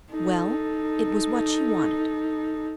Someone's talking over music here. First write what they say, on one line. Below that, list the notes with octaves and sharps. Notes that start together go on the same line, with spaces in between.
Well, it was what she wanted.
D#4 A4